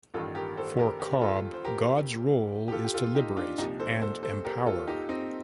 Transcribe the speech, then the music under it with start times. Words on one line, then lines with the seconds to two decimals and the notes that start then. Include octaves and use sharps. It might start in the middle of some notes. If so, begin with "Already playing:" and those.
For Cobb, God's role is to liberate and empower.
0.14 A1 G2 D#3 F4 A4
0.35 G4 A#4
0.57 A4 C5
0.79 G4 A#4
1.00 G4 A#4
1.21 F4 A4
1.53 C5
1.64 G4 A#4
2.68 G4
2.72 F4 A4
2.85 G4
2.94 F4 A4
3.15 D#4 G4
3.37 D4 F4
3.58 C2 A#2 F3 D#4 G4
3.80 A4 C5
4.02 A4 C5
4.23 A4 C5
4.45 G4 A#4
4.66 F4 A4
4.87 D#4 G4
5.09 C4 D#4